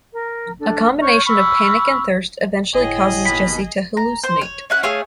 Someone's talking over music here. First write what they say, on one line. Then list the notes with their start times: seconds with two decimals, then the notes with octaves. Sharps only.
A combination of panic and thirst eventually causes Jessie to hallucinate.
0.13 A#4
0.60 D4 A4
1.01 C#5 C#6 F6 G6
1.25 B5 C#6 E6 F6
2.74 G1 A2 G#4 D#5
3.26 D#2 B2 B5
3.97 A#5
4.24 C5
4.41 C#5
4.70 C#4 E4 F#5
4.83 A3 G#4 C#5 F5